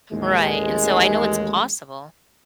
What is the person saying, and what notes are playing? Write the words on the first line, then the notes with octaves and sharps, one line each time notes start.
Right, and so I know it's possible.
A1 D#2 G#3